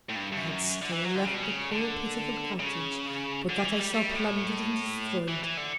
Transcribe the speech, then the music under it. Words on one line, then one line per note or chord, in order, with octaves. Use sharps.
I had still left a poor, pitiful Cottage, but that I saw plunder'd and destroy'd.
A2
G2
G2
F#2
D3
E3
F#3
D3
C#3
B2
C#3
D3
C#3
D3
E3
G3
G3
B2
A2
E3
E3
D3